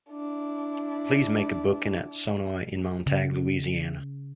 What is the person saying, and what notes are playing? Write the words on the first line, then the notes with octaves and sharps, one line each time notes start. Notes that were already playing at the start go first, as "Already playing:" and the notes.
Please make a booking at Sonoy in Montague, Louisiana.
D4 E4
C#3